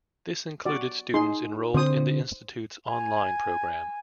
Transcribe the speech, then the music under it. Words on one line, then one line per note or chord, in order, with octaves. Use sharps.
This included students enrolled in the institute's online program.
F#4 D5
D#4 G#4 C6
D3 C4 C5 D#6
G#5